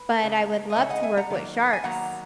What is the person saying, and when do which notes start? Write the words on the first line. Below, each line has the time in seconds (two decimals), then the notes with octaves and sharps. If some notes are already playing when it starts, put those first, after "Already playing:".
But I would love to work with sharks
Already playing: B4
0.23 C#3 G#3 D#4
0.70 D#5
0.76 C#3 G#3 D#4 C#5 E5
0.90 D#5 F#5
1.03 E5 G#5
1.17 F#5 A#5
1.30 D#3 F#3 A#3
1.73 G#5
1.84 D#3 F#3 A#3 F#5 A#5